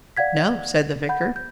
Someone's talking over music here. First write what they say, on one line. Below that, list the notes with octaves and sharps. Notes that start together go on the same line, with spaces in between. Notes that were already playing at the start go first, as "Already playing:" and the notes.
"No," said the vicar.
D5 F5 F#5 G#6 B6
F#5 B5 G6
G6